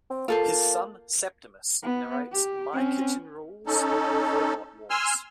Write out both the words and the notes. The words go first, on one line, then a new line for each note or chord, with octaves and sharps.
His son Septimus narrates "My Kitchen Rules" and "Robot Wars".
C4
A#3 F4 A4 C5
B3
G4
C4 C#4
C#4 D#4 A4
G#5 C6 E6 F6